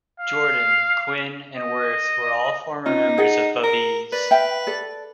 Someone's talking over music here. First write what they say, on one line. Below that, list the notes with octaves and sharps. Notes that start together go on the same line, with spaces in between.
Jordan, Quinn and Wirth were all former members of Babeez.
F5
D#5
C#4 D#4 F4 C#5
G#4 F#5
A#4
B4 D5
E5 F5 G5
A4 D5